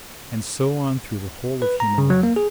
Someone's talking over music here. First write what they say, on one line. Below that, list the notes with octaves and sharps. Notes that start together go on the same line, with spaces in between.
And so on through the whole of human life.
B4
A#5
C#3
F#3
A#3
G#4